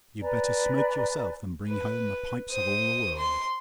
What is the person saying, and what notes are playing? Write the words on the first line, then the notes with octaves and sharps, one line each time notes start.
You'd better smoke yourself, than bring home the pipes of all the world.
B4 D5 G#5 A#5
B4
C5 D#6
C6